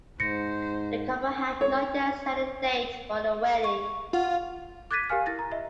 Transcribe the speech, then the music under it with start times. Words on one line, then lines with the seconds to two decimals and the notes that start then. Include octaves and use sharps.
The couple have not yet set a date for the wedding.
0.20 G#2 C5 A#6 C#7
1.61 C#5
3.64 C#6
4.13 F4 F#5
4.91 D6 F#6 G#6 A6 B6 D#7
5.09 G4 A#4 F5 G#5 F6
5.26 E4 A6 A#6
5.39 A#5
5.51 D#5 E5